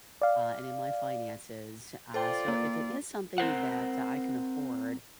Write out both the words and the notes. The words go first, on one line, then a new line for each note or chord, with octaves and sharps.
uh, and in my finances, uh, so if it is something that I can afford,
D5 F5
F4 A4 C5 D5 G5
A#3
C4 A#4 C5 F#5